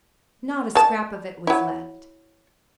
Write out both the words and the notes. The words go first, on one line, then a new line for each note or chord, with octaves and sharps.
Not a scrap of it was left.
G#3 A5
F#3 E4